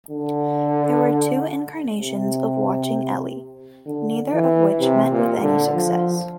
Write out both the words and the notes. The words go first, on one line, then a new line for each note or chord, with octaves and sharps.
There were two incarnations of "Watching Ellie", neither of which met with any success.
D3
C3
D3
E3
C3
A#2
D3
F3